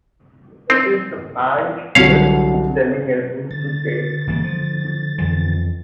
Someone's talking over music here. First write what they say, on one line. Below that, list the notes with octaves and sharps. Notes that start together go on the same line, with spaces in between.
It is the band's best-selling album to date.
C4
C2 D3 F#3 C#4 C#5 F5
D3 A6
G1 E3 A#3
F3
F2 E3 F3